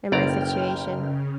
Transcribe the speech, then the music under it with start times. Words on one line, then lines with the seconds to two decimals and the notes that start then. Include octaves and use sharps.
in my situation.
0.12 F#1 B1 D5 G5 A#5 F6
0.84 C#3